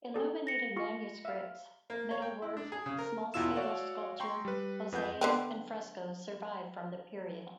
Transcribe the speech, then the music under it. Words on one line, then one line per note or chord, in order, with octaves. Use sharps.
Illuminated manuscripts, metalwork, small-scale sculpture, mosaics, and frescos survive from the period.
G#4 A4 D5
A#6 C#7
F4 C#6
E5 F5
A#3
C#5
G5
E4
D4
G#4
C#3
A#4
E2 B2 E4 F4 E6 E7
F#4 C#5 D5 F5 F#5
G5 A#5 C6 C#6
G3 B4
F2 B4 F#5 G6
D3 B3 C4